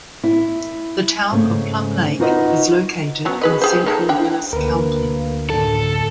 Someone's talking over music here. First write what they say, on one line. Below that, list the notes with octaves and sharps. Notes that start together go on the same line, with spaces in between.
The Town of Plum Lake is located in central Vilas County.
E4
G#2 C#3 A3
D#4 F4 F#4 B4 C#5 D#5
F#3 B3 C#4
G#4 B4 D#5
G4 G#4 C5
A#3 D#4 A4
F3 D4 G5
D2 A#3 A#4 B4
F#2 A2 D3 A4